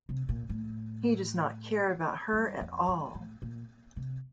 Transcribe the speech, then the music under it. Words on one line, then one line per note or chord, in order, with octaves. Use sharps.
He does not care about her at all.
C3
A#2
A2
G2
F2
G2
A2
A#2
C3